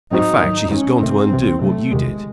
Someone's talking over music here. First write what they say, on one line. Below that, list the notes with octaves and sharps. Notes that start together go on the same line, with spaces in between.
In fact she has gone to undo what you did.
A2 F#3 C4 D#4 F#4 C5
G#2 D#3 F#3
F#2 D#3 G#3 C#4 D#4
C3 D#3 A3 C4
C2 C3 E3
C3 F#3 A3 C4
E2 C3 D#3 G#3